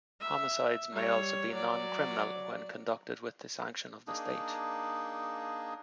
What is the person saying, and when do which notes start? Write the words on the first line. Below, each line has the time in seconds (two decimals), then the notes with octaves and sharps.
Homicides may also be non-criminal when conducted with the sanction of the state.
0.21 E5
0.92 G3 C#5
1.52 F#3 D5
4.07 A#3 D4 D#4 G#4